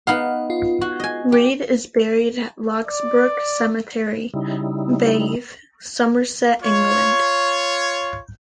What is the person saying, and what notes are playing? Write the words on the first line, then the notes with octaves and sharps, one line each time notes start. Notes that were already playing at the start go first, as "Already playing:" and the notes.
Reade is buried at Locksbrook Cemetery, Bath, Somerset, England.
B3 D#4 F5 F#5
F4
F#4
D#5 G#5
G4
D5
C#3 G3 D#4 E4
F4 C#5